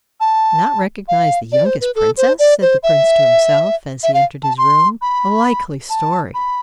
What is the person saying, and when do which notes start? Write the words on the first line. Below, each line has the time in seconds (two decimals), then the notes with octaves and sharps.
Not recognise the youngest princess!' said the Prince to himself, as he entered his room, 'a likely story!'
0.20 A5
1.08 F5
1.52 D5
1.66 C5
1.81 B4
1.95 A4
2.17 C5
2.39 D5
2.62 C5
2.83 E5
4.03 E5
4.14 F5
4.43 A5
4.58 C6
5.02 B5
5.90 A5
6.34 B5